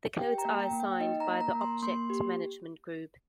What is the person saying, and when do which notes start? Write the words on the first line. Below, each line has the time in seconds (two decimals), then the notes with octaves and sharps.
The codes are assigned by the Object Management Group.
0.18 G4 G5
0.38 A#5
0.45 A#3
0.60 G5
0.73 A#3
0.80 G5
1.00 D#4 D#5
1.20 A#5
1.27 A#3
1.41 A#5
1.55 A#3
1.61 C6
1.82 A#3 C6
2.10 G4